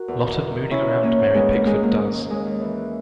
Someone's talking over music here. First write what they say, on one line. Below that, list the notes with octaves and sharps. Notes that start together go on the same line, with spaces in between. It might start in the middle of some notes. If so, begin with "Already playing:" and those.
Lot of mooning around Mary Pickford does!
Already playing: F#4 A#4
E2
D#3
D#3
D#3
D#3 C#4 E4
D#3
D#3 A#3 C#4
E2
D#3 G#3 B3
D#2 A#3
D#3 G#3
D#3 A#3
D#3
D#2
D#2 G#3
D#2
E3